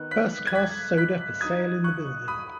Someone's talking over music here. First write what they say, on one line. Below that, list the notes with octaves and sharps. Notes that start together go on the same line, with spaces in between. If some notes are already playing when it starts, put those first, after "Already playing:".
First-Class Soda for sale in the Building.
Already playing: D#3 B3 D#4 F#6
F#6 B6
G#6
F#6 B6
F#6 B6
F#3 D#4 D#6 G#6
C#6 F#6
B5 D#6